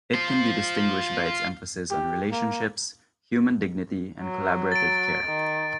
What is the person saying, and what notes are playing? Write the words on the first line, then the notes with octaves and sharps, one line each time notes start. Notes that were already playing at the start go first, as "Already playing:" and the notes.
It can be distinguished by its emphasis on relationships, human dignity and collaborative care.
F4 C5
G4
A#3
F#3
A6 D7
D#3